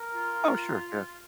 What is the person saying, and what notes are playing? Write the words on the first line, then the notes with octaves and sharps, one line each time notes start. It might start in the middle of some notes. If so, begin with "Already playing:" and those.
Oh, sure, yeah.
Already playing: A#4
F4